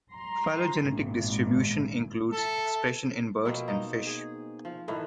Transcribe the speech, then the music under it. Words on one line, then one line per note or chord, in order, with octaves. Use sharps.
Phylogenetic distribution includes expression in birds and fish.
A#5 C6
G#1 A#2
A4 E5
B2 F3 A#3 C4
D#4
G#4
F3
A2 D#3 E3